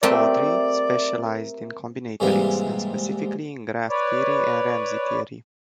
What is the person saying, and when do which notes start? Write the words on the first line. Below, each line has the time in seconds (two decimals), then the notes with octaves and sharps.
Faudree specialized in combinatorics, and specifically in graph theory and Ramsey theory.
0.03 A3 C4 G4 A#4 D5 E5
2.20 G#2 C3 E3 G3 A#3
3.90 B4 C#5 D5